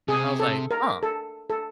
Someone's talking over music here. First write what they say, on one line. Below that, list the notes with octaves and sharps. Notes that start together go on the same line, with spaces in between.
and I was like, "Huh,
C3 G#4
A4
A#4
A4
A4